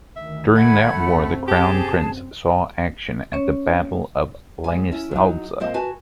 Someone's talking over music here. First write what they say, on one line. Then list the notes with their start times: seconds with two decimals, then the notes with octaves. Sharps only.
During that war, the Crown Prince saw action at the Battle of Langensalza.
0.16 D2 D#3 E5
0.55 A3 F#5 B5 G#6
1.09 F#2 C3 C4
1.48 G4 G#4 A5
3.33 C#4 C#5
4.64 G#3 G#5
4.92 C#4 E4
5.11 F#3 D#4
5.60 A#2 C4 C5 D#5
5.74 F#4 B4 G#5 A5